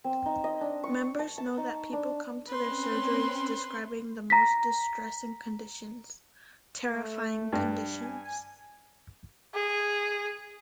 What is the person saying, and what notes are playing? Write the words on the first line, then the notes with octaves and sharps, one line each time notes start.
Members know that people come to their surgeries describing the most distressing conditions-terrifying conditions.
C4
D#4
D#5
D4
C#6
A5
A5
D#4
D4
C4 C#4 B4 C6
A#5 A#6 B6
A3
G2
G#5
G#4